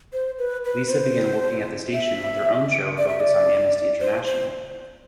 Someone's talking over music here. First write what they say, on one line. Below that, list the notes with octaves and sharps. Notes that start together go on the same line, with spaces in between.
Lisa began working at the station with her own show focused on Amnesty International.
C5
B4
B4
B4
C5
E5
D5
E5
D5
C5
C5